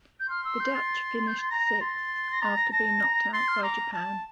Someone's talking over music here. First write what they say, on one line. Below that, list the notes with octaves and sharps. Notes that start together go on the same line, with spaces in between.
The Dutch finished sixth after being knocked out by Japan.
G6
C6 F6
E6
G6
A6
G6
A6
A#5 A#6
C6 A6
A#6
A#5 A6
A#6
A5 A#6
A#5
C6 A6
F6
A#5 D6
A5